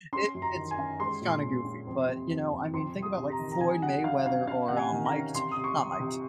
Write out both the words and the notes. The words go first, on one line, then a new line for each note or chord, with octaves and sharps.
it it's a it's kind of goofy, but, you know, I mean, think about, like, Floyd Mayweather or, um, Mike T not Mike T
C#4 C6
F#2
A#5
D#3
G#5
C#4
G#3 C6
A#2
C#4
C#4
F2
C3
F2
F2
F2 C6
C3
D#6
C3
A#5
D#3
A#5
C3 G#5
F#3 F#5
F#3 F5
C#4 F5
C#4 F5
C3 F#5
G#5
D#3
A#5
C#4
C3 C6
D#6
C3
C#6
C3
D#6
C3